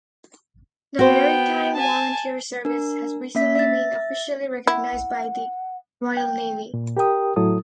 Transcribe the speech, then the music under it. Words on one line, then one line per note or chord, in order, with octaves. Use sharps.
The Maritime Volunteer Service has recently been officially recognised by the Royal Navy.
B3 F#4 C5 G5
G#5 A5
D4 A#4
A#3 C#4 E5 B6
E5 A6
E4 F#5
G5
A#2
G4 A#4 G5 D#6
A2 F#3 E4 A4 D#6